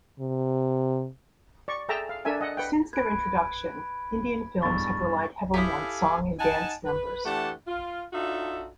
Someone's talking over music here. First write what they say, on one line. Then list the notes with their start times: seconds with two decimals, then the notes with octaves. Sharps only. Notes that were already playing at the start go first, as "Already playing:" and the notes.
Since their introduction, Indian films have relied heavily on song and dance numbers.
0.20 C3
1.68 D5 C#6
1.89 G#4 A4 E5 G5 A5 A#5
2.09 F5
2.25 D4 A4 A#4 E5 G#5
2.41 D#5 F#5
2.57 B4 F#5 G5
2.93 B4 G#6 D7
4.62 B1 E2 G2 C#6 A6
5.54 E4 G4 A4 C#5 F5 G#5 D#6
6.40 D#4 F#5 G#5 A5
6.86 B4
7.25 E3 A3 D4 G4 F#5 A5
7.68 F4
8.13 D4 D#4 F4 F#4 A4 E5